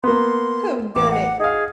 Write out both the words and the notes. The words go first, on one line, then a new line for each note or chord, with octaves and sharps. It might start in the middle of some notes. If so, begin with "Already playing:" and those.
Who Done It?
A#3 B3 C6
A1 D6
F#5
D#4 G#4 F5